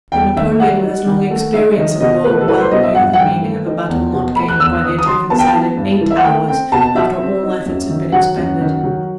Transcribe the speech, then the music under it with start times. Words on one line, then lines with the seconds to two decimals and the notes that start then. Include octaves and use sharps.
But Napoleon with his long experience of war well knew the meaning of a battle not gained by the attacking side in eight hours, after all efforts had been expended.
0.12 E2 G5
0.36 D#3 E5
0.60 G3 F#5
0.83 D#4
1.06 D#3
1.30 A3
1.54 D#4 E5
1.77 D#3 D#5
2.00 B2 D#5
2.24 A3 B4
2.41 A4
2.47 E4 B4
2.60 C5
2.71 B2 D#5
2.83 E5
2.95 G2 F#5
3.13 F#5
3.18 D#3 G5
3.42 A3
3.66 D#4
3.89 E2
4.13 B2
4.36 A3 B5
4.48 F#6
4.60 E2 E6
4.83 D#3 D#6
4.99 D#6
5.06 F#3 C6
5.30 B3 A5
5.39 G5
5.47 A5
5.55 E4
5.77 G2
6.01 E3
6.10 E5
6.18 F#5
6.24 A3 G5
6.48 C4 G5
6.72 B2 A5
6.95 F#3 E5
7.19 C4
7.43 D#4
7.66 F#2
7.90 D#3
8.12 F#3 F#5
8.37 F#2
8.60 D#3
8.83 F#3